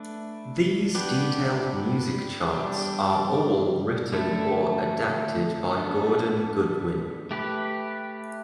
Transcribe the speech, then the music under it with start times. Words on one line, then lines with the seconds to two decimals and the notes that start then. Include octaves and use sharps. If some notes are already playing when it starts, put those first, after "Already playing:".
These detailed music charts are all written or adapted by Gordon Goodwin.
Already playing: A3 D4 B4
0.95 B3 D4 G4 B4
2.54 G3 D4 G4
4.12 D3 A3 E4 A4
5.71 B3 D4 A4
7.31 A3 G4 B4